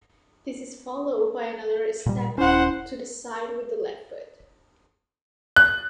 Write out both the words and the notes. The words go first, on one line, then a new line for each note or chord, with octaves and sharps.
This is followed by another step to the side with the left foot.
A#2 G3
D#1 C#4 E4 C5 F#5
F#6